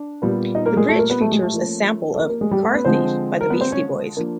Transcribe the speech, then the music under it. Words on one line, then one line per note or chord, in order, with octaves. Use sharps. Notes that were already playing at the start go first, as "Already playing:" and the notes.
The bridge features a sample of "Car Thief" by the Beastie Boys.
Already playing: D4
A#2 G3 B3
D#4 D#5
A#3 A#4
G#3 G#4
A3 A4
A#3 A#4
B3 B4
A3 A4
G#3 G#4
A3 A4
F3 A#3 C#4
A4
A#3 A#4
A#3 A#4
G#3 G#4
G3 G4
A3 A4
B3 B4
D3 F3 G#3 C4 C5
A#4
B3 B4
C4 C5
C#4 C#5
F3 A#3 D4